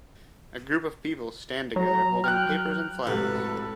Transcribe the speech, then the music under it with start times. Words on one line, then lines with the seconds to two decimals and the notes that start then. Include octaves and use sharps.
A group of people stand together holding papers and flags.
1.76 F#3 A#5
2.24 G5 F6 F#6
3.07 A2 C3 G#3 F#4 G4 A4 B4